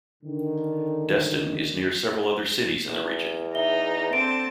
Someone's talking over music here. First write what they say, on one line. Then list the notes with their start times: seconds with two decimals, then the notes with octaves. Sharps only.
Destin is near several other cities in the region.
0.23 D3 D#3
2.88 E2
3.55 D#4 E5 G7
4.13 D3 C4 A5 D7